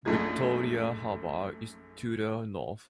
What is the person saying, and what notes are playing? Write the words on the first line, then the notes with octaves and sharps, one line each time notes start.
Victoria Harbour is to the north.
A#1 F#2 A3 D#4 G#4 G#6